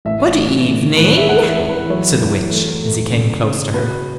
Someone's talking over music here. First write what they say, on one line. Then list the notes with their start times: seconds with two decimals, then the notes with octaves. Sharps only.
"Good evening," said the witch, as he came close to her.
0.05 A1 E5
0.35 A1
0.67 A2
0.97 A1 B4
1.07 C#5
1.17 E5
1.28 E2 F#5
1.48 E5
1.59 E2
1.69 B4
1.89 F#3 C#5
2.20 E2
2.51 A3
2.82 A3
3.13 C#3
3.43 C#3
3.74 B2 B4